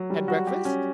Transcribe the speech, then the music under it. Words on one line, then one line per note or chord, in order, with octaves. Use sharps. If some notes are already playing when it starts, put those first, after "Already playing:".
"Had breakfast?"
Already playing: F#3
G3
F#4
G4
C#4